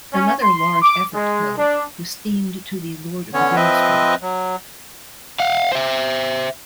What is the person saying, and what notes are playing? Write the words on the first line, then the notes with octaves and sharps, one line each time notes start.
Another large effort held was themed to the "Lord of the Rings" trilogy.
C#4
C6
D6
G#3
D4
D3 B3 C#4 C#5
F3 C4 B4 D#5 E5
F#3
F5 F#5
C5 E5